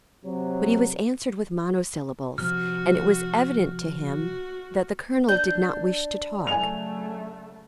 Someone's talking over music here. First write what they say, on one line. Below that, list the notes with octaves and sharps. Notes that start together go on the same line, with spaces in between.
But he was answered with monosyllables, and it was evident to him that the colonel did not wish to talk.
C3 F#3
C3 F3 F#4 F6
F#4
D4 G6
C#3 F#3 A3 G#5 F7